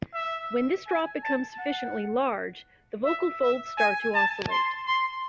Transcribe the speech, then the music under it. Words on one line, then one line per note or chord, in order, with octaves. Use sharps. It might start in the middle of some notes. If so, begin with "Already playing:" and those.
When this drop becomes sufficiently large, the vocal folds start to oscillate.
E5
G#5
A5
F#5
E5
E5
G#5
A5
C6
C6